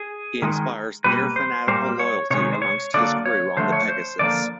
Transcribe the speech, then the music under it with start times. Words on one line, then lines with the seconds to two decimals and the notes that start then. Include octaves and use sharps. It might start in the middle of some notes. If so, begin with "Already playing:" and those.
He inspires near-fanatical loyalty amongst his crew on the Pegasus.
Already playing: G#4
0.42 D#3 G#3
1.04 B2 G3 A#3 B4
1.36 C5
1.67 A#2 G3 A#3 C5
1.99 C#5
2.30 C3 D#3 G#3 C#5
2.53 C5
2.62 C#5
2.94 D3 F#3 A#3 D5
3.26 C#5
3.57 D3 F3 A3 C5
3.73 C#5
3.88 C5
4.19 D3 F3 A#3 D5